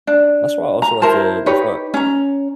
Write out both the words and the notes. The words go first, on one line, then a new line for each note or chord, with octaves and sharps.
That's why I also like to to fi
D4
A#5
E4 A#4 C5 A5
D#4 G4 B4 C#5
C#4 A#5